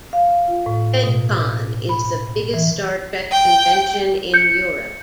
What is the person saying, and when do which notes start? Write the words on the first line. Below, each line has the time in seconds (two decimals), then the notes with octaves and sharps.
FedCon is the biggest Star Trek convention in Europe.
0.13 F5
0.48 F4
0.66 A2
1.04 B2
1.35 D6
1.89 B5
2.54 E3
3.31 G5
4.34 G6 C#7